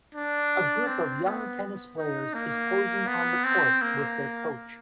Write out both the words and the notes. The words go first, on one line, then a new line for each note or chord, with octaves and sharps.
A group of young tennis players is posing on the court with their coach.
D4
C4
B3
D#4
A#3
B3
C4
A#3